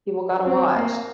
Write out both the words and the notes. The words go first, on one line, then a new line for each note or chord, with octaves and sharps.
People gotta watch.
C4
A#3